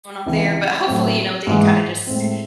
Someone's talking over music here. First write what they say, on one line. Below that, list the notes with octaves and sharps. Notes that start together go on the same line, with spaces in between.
going on there, but hopefully, you know, they can kinda just
C#2 C3 E3
A2 F#3 C4
G#2 E3 G#3
A2 G#3 C4